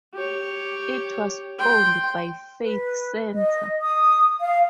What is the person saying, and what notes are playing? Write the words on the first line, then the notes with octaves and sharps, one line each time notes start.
It was owned by Faith Center.
G4 C#5
G5 C6
B4
D#5
D#6
F5